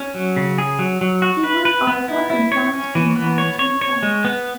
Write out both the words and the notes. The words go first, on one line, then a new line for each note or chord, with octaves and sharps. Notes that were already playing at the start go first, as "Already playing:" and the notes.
He was also employed in writing plays.
Already playing: C#4
F#3
C#3
G#4
F#3
F#3
F#4
B4
B4
B3
E4
E4
C#5
C#4
E3
B3
C#5
C#5
C#5
G#3
B3